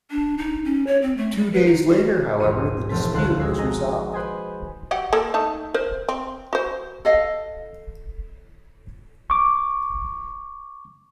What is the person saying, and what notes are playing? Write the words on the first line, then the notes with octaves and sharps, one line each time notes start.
Two days later, however, the dispute was resolved.
D4
D#4
C#4
C#5
C4
A3
G3
B4
D#4
F#4
D#1 A#1 G#2 F4 C#7 D#7
E1 A#1 F3 A3 F4 B6
D#1 D2 D3 C5 F5 F#6
G#3 F#4 E6 C7
D#5 G#5 A#5
B4 C5 G#5 D#6
F#3 G4 F#5
A#3 A4 A#4
A3 D#4 A5
A#4 C5
C4
F#4 C5
A4 D#5 F5
C#6 D6